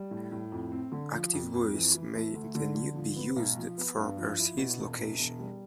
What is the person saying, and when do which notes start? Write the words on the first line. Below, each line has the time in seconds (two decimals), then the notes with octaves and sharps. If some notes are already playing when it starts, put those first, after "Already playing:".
Active buoys may then be used for precise location.
Already playing: G3
0.11 A2
0.32 A2
0.52 F2
0.72 C4
0.92 D3
1.13 F3
1.33 F2
1.54 F2
1.74 E3
1.94 E3
2.14 A3
2.35 D2
2.55 D3
2.75 D3
2.96 F3
3.16 B3
3.36 B1
3.57 F3
3.78 B3
3.97 G2
4.17 F3
4.38 E4
4.58 B2
4.79 E1
4.99 E1
5.19 E1
5.39 G3